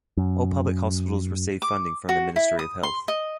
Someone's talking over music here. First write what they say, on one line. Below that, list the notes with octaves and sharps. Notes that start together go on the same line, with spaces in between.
All public hospitals receive funding from the Ministry of Health.
F#2
D6
F#4
E4
D#6
C6
D#5